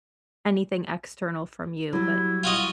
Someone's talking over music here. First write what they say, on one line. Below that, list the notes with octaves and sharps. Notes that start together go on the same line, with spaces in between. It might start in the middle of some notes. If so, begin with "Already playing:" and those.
anything external from you, but,
F#3 G3 E4
F4 F#4 D#5